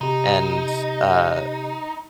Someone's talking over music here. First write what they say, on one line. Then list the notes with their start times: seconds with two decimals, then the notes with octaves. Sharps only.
and, uh-
0.01 C3 D#4 G4